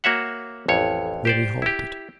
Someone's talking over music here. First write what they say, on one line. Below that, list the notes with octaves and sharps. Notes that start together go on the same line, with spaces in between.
Then he halted.
A#3 F#4 C#5 E5 F#5
A1 F2 C#5
G4 C5 D5
E4 G4